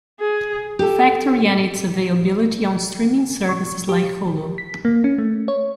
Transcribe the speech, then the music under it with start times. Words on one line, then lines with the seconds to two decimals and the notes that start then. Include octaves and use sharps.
Factory and its availability on streaming services like Hulu.
0.20 G#4
0.79 G4 A4
3.49 C#6
3.89 G4
4.58 B6
4.85 A#3
5.04 C#4
5.18 A3
5.48 C#5